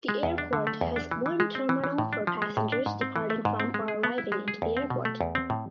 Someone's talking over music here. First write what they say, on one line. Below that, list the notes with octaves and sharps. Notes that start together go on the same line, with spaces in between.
The airport has one terminal for passengers departing from or arriving into the airport.
G#3
E2
D4
D3
A3
E2
D4
E3
E3
G#3
C4
E3
E3
A2
D4
F3
G#3
A2
D4
G#2
C4
E3
A3
G#2
C4
G#3
G#4
B3
E4
G#3
G#4
E2
C4
B2
A3
E2
C4
A2